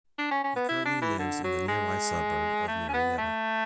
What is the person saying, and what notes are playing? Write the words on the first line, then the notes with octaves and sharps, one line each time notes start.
He currently lives in the nearby suburb of Marietta.
D4
C#4
C#4
B3
E4
D4
E3
D3
F#3
G#3
A3
C#4
B3
A3